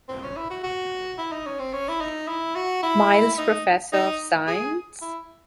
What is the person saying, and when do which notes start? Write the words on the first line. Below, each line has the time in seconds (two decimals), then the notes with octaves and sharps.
Miles Professor of Science.
0.08 C4
0.23 C#4
0.36 E4
0.50 F#4
0.63 F#4
1.18 E4
1.32 D#4
1.46 C#4
1.59 C4
1.73 C#4
1.89 E4
2.01 D#4
2.28 E4
2.55 F#4
2.83 E4
3.38 D#4
3.92 D#4
4.47 G#4
5.01 E4